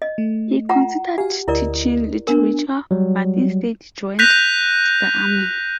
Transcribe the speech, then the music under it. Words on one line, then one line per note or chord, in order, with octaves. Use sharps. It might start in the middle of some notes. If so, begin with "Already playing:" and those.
He considered teaching literature but instead joined the Army.
D#5
A3
F4 F#5 A#5
F#4 G4 F5 G#5
D2 E4 A#4 D5 D#5
B3 D4 A#4 G#5
F#3 G3
F#6 G6 A#6 B6 D#7 F7